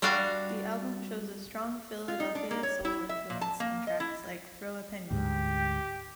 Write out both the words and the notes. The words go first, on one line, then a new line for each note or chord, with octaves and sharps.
The album shows a strong Philadelphia soul influence in tracks like "Throw a Penny".
G3 D4 F#4 F5
F4
D#4
D4
A#3
C#5
E4
E5
A#2
A5
A#3
D#5
E4
D2 G#2 G4